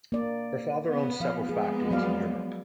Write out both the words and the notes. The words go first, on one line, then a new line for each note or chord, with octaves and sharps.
Her father owned several factories in Europe.
A#3 D5
B3
F3 F5
F3 G#3 B3 G#4
F#3 D5 F5